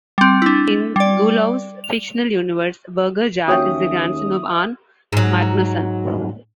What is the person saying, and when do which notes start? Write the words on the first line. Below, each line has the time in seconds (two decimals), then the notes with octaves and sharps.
In Guillou's fictional universe, Birger Jarl is the grandson of Arn Magnusson.
0.18 G3 C4
0.42 D4 E4
0.96 G3 D5
1.84 F7
3.48 D#2 A#3 C#4 F#4 C#5 E5 G5 D#6
5.13 G#2 F#3